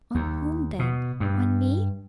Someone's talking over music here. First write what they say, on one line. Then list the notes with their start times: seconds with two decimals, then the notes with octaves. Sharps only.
"On whom, then!--on me?"
0.15 D#2
0.79 B2
1.20 G2